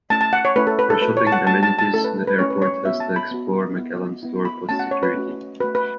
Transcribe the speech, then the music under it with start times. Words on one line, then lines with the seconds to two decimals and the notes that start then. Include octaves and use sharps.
For shopping amenities, the airport has the Explore McAllen store post-security.
0.10 A3 C#4 E4 A5
0.21 A5
0.33 F#5
0.45 C#5
0.56 A3 C#4 E4 B4
0.67 A4
0.79 B4
0.90 A4
1.01 A3 F#4 B4
1.17 C#5
1.27 A5
1.32 F#5
1.47 A3 F#4 A5
1.63 A5
1.79 A5
1.93 A3 C#4 E4 A4
2.04 B4
2.28 B4
2.39 A3 C#4 E4 C#5
2.50 B4
2.62 C#5
2.85 B3 F#4 E5
3.00 A5
3.16 B5
3.31 B3 F#4
3.76 B3 E4
4.23 B3 E4
4.45 B5
4.69 A3 C#4 F#4 A5
4.79 F#5
4.91 C#5
5.03 B4
5.14 A3 C#4 F#4
5.60 A3 F#4 B4
5.75 B4